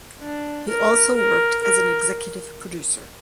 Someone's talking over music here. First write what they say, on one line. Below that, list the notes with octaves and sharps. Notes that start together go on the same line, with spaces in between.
He has also worked as an executive producer.
D4
A#4
A#4
A#4